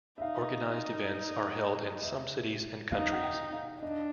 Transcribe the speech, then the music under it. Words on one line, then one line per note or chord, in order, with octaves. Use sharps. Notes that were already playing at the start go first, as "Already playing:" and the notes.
Organized events are held in some cities and countries.
E5
D#4 F5
D#5
E5
D#4 F5
F#5
G5
F5
D4 D#5